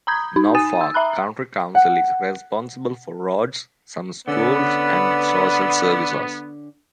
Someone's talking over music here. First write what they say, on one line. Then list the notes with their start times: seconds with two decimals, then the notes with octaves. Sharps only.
Norfolk County Council is responsible for roads, some schools, and social services.
0.07 A#5 B5 D#6 G6 G#6
0.36 D#4
0.55 G#5 D#6 A6 D#7
0.81 E6
0.94 E5 A#5 B5 F#6
1.75 F#5
4.28 D3 B3 C#4 B4 D5 F#5 E6